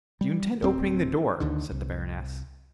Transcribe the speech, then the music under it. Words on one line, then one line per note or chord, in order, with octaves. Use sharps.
"Do you intend opening the door?" said the baroness.
G3
D1 C4
D2 D3 D#3
C2